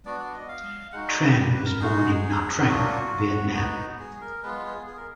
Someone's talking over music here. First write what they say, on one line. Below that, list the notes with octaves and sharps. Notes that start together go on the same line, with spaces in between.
Tran was born in Nha Trang, Vietnam.
B3 D4 F#4 D5
D5
D#5
F5
G#3 D#4 F#4 F#5
D5
B4
D5
B4
A#4
G#3 D#4 F#4 G#4
F#3 A#3 D4 F4 F#4
B3 D#4 F#4
G#4
A#4
G#3 B3 F4 B4
G#4
G#4
A#4